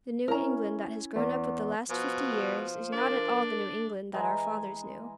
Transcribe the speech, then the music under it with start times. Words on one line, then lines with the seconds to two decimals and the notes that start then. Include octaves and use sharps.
The New England that has grown up with the last fifty years is not at all the New England that our fathers knew.
0.28 C#4 E4 A#4 A#5
1.16 E2
1.90 B2 F3
2.92 D4 A#4
4.13 E3 G#3 G#5 A#5